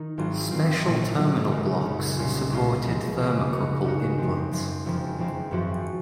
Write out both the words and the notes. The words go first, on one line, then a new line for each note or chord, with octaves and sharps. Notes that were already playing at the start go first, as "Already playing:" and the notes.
Special terminal blocks supported thermocouple inputs.
Already playing: D#3 D#4
G#1 G#2 F#3 C4 F4
G#1 G#2 F#3 C4 F4
A#1 A#2 F#3 A#3
A#1 A#2 F#3 A#3
F#2 C#3 G#3 D#4 A#4
F#2 C#3 G#3 D#4 A#4
C2 A#2 G#3 C#4 F4
C2 A#2 G#3 C#4 F4
C#2 C#3 F3 G#3
C#2 C#3 F3 G#3
C#3 G#3 D#4 F#4 A#4
C#3 G#3 D#4 F#4 A#4
F#2 F3 C4
F#2 F3 C4
F#1 F2 C#3 F3 C4
F#1 F2 C#3 F3 C4
G#1 F#2 F3 C4 F#4